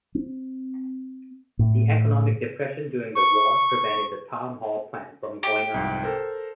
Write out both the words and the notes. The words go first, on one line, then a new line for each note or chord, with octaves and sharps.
The economic depression during the war prevented the town hall plan from going ahead.
C4
A2
C#6
G4
C2 F2 G#2
A4 A#4 C5